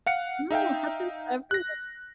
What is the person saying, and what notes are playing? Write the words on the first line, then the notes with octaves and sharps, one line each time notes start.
No, happens to everyone.
F5 F#5 C#7
D#4 E5 F5 G5
F#6 A#6